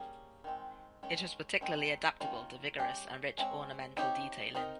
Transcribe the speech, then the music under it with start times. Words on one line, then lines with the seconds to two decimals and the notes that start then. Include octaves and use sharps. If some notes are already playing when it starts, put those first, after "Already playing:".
It was particularly adaptable to vigorous and rich ornamental detailing.
Already playing: G3 A#3 C#4 G#4
0.44 D#3 G#3 C4
1.03 D#3 G#3 C#4
1.61 D#3 G#3 C4 D#4
2.20 D#3 A#3 C#4 F4
2.79 G#3 C#4 G4
3.38 G#3 C4 F4 G#4 C#5
3.97 C4 D#4 G4 C#5
4.55 C4 D#4 A#4 D#5